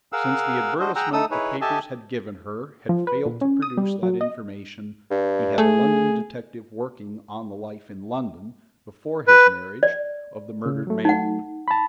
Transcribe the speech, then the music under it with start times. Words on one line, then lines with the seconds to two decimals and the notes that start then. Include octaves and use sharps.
Since the advertisement the papers had given her had failed to produce that information he had a London detective working on the life in London, before his marriage, of the murdered man.
0.13 G#4 A#4 F5 F#5 E6
0.80 D4 F#4 C5 D#5
0.95 G#4 F#5 G5 A#5 E6
1.13 A3 D#4 A4 D#6 E6
1.31 D#4 E4 G#4 B4 C#5
1.61 G4 A4 D#5 E5 G#5 A5
2.89 F3
3.07 B4
3.26 A#2
3.41 C#4
3.62 D#6
3.77 G3
4.03 F#3
4.21 D#5
5.11 G2
5.58 A3 G#4
9.28 B4
9.83 D5
10.66 C#3
10.87 F#3 A3
11.05 D#4 F#5
11.68 A5 B5